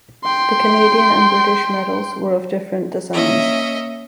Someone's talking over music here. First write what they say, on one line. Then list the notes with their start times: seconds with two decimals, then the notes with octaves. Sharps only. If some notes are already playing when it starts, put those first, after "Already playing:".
The Canadian and British medals were of different designs.
0.24 G5 C6
3.13 A#3 C#4 D#5 E5